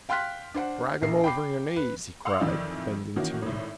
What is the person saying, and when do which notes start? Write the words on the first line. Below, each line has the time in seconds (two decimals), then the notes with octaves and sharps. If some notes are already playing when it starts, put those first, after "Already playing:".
"Drag 'em over your knees," he cried, bending to me.
0.09 F5 G5 C6 F6 F#6 B6
0.54 D4 C5 F#5
1.02 A#1 A#3 C7
1.24 G5 B5 D6 C7
1.76 B4
2.25 F5 F#5 C6 E6
2.40 F2 D#3 E3 D5
3.16 D#3 E3 A#3 C#4 F#4
3.42 G#1 A2